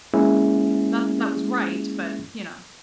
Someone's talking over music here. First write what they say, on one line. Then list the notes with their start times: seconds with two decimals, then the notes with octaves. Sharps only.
Not that that was right, but you know.
0.14 G#3 A#3 C#4 E4 G#4